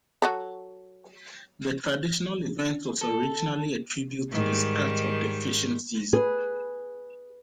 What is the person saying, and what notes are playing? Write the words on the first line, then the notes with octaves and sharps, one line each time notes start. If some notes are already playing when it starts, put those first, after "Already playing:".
The traditional event was originally a tribute to the start of the fishing season.
F#3 F#4 A4
A4
G#2 D#3 G3
G#4 B4